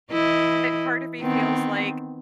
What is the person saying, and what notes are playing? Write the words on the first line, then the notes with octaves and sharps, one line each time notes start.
eh part of me feels, like,
E3 E4 D#5
D#3 B3 C4